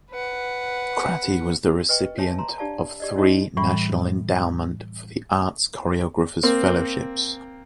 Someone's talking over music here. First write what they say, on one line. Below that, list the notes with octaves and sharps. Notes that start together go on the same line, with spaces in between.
Cratty was the recipient of three National Endowment for the Arts Choreographer's Fellowships.
B4 F#5
B4 D#5 G5 C#6
C#5 E5 G#5 A5
A#5 C6
D4 G4 D5 F5 A5
G4 D5 D#5
C#4 D#4 F4 F#4 C#5 D#5
A2 E3 G3 B5
A#3 C4